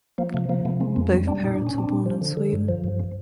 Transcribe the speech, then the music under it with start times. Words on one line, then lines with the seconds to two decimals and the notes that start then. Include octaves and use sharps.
Both parents were born in Sweden.
0.18 F3 A#3
0.34 C3 A3
0.49 F3 A#3
0.65 C3 A3 B3
0.80 G#3 A#3 C4
0.96 F2 A#3 C4
1.12 G3 B3 C#4
1.27 G3 C4 D4
1.43 A#2 D#4
1.55 A#2 D4
1.67 C#4
1.74 A#2 C4 D4
1.90 A#2
2.06 F3
2.21 D3
2.37 D3
2.53 G2
2.68 F3
2.84 G2